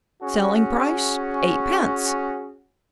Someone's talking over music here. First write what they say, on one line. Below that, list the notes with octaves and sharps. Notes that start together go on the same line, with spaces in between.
Selling price, eightpence.
C#4 F#4 G#4